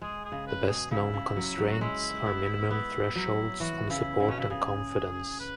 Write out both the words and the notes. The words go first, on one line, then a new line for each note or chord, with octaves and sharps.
The best-known constraints are minimum thresholds on support and confidence.
G#3 G#4
G#4
C#3
B4
B2
G#4
C#3 E4
C#3
F#3
F#3
F#4
G#3 E4
B3
B3 E4
F#3 E4
E3 F#4
C#3 E4
C#3 E4
B2 C#4
C#3 E4
C#3 G#4
B4